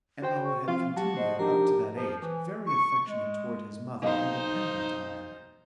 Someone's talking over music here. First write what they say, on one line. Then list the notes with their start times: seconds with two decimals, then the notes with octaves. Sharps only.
M.O. had continued up to that age very affectionate toward his mother and dependent on her.
0.22 F#4 C5 G5
0.44 C#6
0.68 F3 C4 F4 F5
0.97 F#3 F#4 G4 A5
1.17 C5 D#5
1.39 F3 D4 D#4 G4 A#4
1.96 F3
2.21 E3
2.67 C#6
3.07 G#3
4.02 B1 D#4 C5 D#5 F5